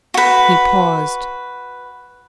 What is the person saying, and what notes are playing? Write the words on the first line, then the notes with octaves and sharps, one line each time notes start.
He paused.
F#4 B4